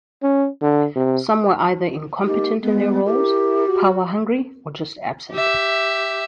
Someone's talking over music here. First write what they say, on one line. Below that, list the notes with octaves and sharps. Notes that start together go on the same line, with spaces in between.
Some were either incompetent in their roles, power-hungry or just absent.
C#4
D3
C3
G#3 A#3 D#4 G4
G#3 B3
E4 G4 A#4
F#4
G4 E5